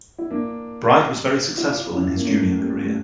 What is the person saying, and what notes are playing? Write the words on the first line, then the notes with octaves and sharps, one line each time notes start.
Bryde was very successful in his junior career.
E4
A#3 D4
E4
D4 F4
C#4 E4
A#3
A3 C#4
G3 A#3
A#3
A3